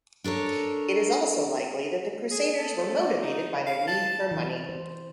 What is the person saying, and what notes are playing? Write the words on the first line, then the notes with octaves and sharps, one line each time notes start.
It is also likely that the crusaders were motivated by their need for money.
D4 A4 A#4 C#5
G#4
A4
D5
D#4
F5
A5
E3
C5